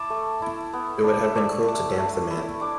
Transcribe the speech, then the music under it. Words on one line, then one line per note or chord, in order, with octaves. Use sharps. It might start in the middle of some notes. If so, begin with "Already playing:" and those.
It would have been cruel to damp the man.
Already playing: E4 A5 D6
A3
E4
B3
D4
E5
A3 D5
D4
A3
E4
D4 D6